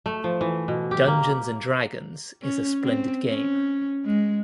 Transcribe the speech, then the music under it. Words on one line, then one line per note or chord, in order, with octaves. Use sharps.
Dungeons and Dragons is a splendid game.
A3
F3
E3
B2
G4
A#3
C#4
C4
C#4
G#3